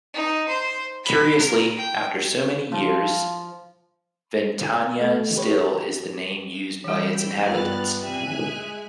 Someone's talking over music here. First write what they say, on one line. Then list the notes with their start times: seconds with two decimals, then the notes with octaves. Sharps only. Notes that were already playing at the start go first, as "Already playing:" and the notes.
Curiously, after so many years, Ventania still is the name used by its inhabitants.
0.14 D#4
0.48 C5
1.04 B5
1.38 A#4
1.76 G5
2.72 F3
5.01 A3
5.36 G4 B4 C#5
6.84 E3 G3 G4 G5 B5 E6
7.47 G2 G3 B3 F4 F6 F#6 A6
8.02 G3 C4 E5 G#5 F#6
8.36 G#3 G#4